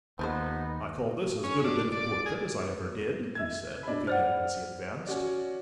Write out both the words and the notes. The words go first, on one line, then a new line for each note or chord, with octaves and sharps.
"I call this as good a bit of portrait as I ever did," he said, looking at it as he advanced.
D#2 F3 G3 B3 D#4 C5
C#4
D4
D5
G#4
E5 E6 G#6
D4 B5
C5 D5 F#5 F6
C#4 F#4 D5